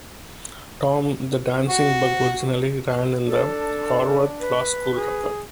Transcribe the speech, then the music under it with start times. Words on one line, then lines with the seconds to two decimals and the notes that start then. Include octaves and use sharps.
Tom the Dancing Bug originally ran in the "Harvard Law School Record".
1.69 F#4
3.27 D4 A4
4.40 B4
4.97 G#4